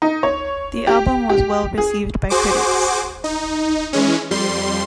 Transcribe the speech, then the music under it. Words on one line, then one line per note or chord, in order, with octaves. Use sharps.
The album was well received by critics.
D#4
C#5
G4
G4
G#4
F#4 G#4 C5 D6
D#4
E3 G#3 C#4
F2 G3 C6